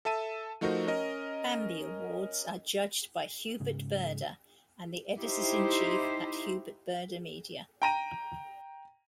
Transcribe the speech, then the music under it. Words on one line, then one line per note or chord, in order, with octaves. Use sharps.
Bambi awards are judged by Hubert Burda and the editors-in-chief at Hubert Burda Media.
A4 E5 A5 D#7
F3 A3 D#4 F#4 A#4 C5
C#4 A#4 D#5
G#2 C#3
D#4 E4 G4 C5
G5 A#5 D#7